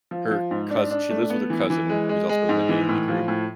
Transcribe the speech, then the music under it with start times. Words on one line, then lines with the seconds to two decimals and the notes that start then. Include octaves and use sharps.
her cous she lives with her cousin who's also in the D&D group.
0.11 F3
0.31 F3
0.51 G#2
0.70 D4
0.91 D4
1.10 A3
1.30 B3
1.50 E3
1.70 E3
1.89 G#3
2.09 G#3
2.29 G#3
2.49 G#2
2.69 E3
2.89 A2
3.08 F3
3.28 A2